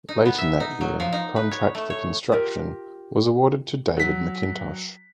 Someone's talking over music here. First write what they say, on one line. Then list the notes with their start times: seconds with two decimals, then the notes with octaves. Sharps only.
Late in that year the contract for construction was awarded to David Macintosh.
0.09 D#4
0.25 B3
0.38 E5
0.60 D#4
0.81 F#3
1.00 F3
1.13 D#4
1.36 B4
1.51 C#5
1.75 A3
1.90 C#5
2.32 F4 G4 A#4
3.97 F#3 B6